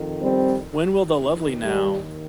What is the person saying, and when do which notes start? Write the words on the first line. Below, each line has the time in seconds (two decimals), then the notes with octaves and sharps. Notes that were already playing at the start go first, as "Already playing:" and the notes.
When will the lovely 'now!
Already playing: F2 D#3
0.21 G3 C4
1.16 D#2 D#3
1.63 G3